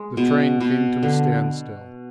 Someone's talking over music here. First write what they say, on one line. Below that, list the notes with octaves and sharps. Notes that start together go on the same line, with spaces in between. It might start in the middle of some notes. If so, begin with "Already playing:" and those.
The train came to a standstill.
Already playing: G#3
B2
B2
D3